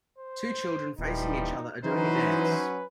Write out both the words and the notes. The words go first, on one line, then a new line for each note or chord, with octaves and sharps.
Two children facing each other are doing a dance.
C5
D#1 E3 F3 G3 D#4
E3 F#3 C#4 D#4 B4 C5